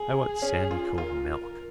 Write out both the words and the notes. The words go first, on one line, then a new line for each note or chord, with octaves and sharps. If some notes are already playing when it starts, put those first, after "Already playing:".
I want Sandycove milk.
Already playing: G#4
C#4
F4
F4 A#4
A#4